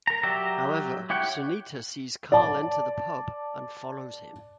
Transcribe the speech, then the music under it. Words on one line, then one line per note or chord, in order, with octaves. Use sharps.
However, Sunita sees Karl enter the pub and follows him.
A#4 A#5
F#3 G4 D5 E5 A#5
E4 G4 C#5 F#5 G5
D5 A5